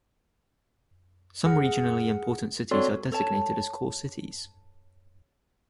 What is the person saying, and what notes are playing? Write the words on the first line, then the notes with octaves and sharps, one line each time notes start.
Some regionally important cities are designated as core cities.
G#4 F#5 F6
C4 F#4 A4 C#5 D5 C6
A4 C#5 A5